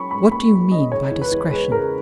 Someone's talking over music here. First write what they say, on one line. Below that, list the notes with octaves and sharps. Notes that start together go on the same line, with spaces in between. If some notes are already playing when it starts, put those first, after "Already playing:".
"What do you mean by discretion?"
Already playing: F#3 C#4 B5 C#6
G#2 B5
A#3 B5
F#3
C#4 D#5
C#3 C#5
E2
B4
E2
G#3 B4
C#3 A#4